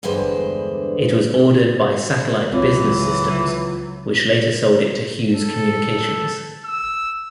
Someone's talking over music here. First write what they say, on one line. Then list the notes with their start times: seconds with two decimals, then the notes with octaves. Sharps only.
It was ordered by Satellite Business Systems, which later sold it to Hughes Communications.
0.03 E2 G2 D3 G#3 B4 C5
2.53 C#2 E3 F#3 C4 F4 C#5
5.35 A4
6.65 E6